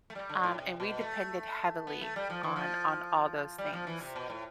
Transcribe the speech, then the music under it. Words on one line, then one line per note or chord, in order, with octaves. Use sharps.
Um, and we depended heavily on on all those things.
A3
G3
D3
A2
C3
B2
A3
B3
A3
G3
F3
E3
F3
G3
F3
E3
C3
B2
A2